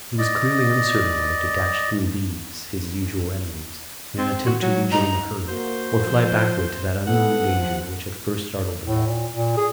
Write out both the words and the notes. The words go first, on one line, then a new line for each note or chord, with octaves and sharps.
He was clearly uncertain whether to dash through these his usual enemies, in an attempt to rejoin the herd, or fly backward to that unknown danger which had first startled them all.
D5 D#5
C4
F#4
F#3
D#4 A#5
A#3 F#4 C5
F3
B3 A4 F#5
F3
A2
A#2
A#2
G#4